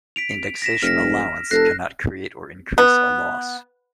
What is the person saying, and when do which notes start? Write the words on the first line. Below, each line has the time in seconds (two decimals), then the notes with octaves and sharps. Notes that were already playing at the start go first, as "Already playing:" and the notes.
Indexation allowance cannot create or increase a loss.
0.16 B6 D7 F7
0.62 A#6 B6 E7
0.82 F1 F6 A#6
1.51 F1 A4 F#6 A#6 C7
2.78 B3